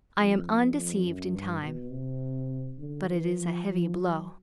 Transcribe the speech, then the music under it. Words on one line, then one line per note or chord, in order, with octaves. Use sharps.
I am undeceived in time! But it is a heavy blow!
F2
F2
F2
F#2
G2
B2
C3
D3
E3
F3
F3
F#3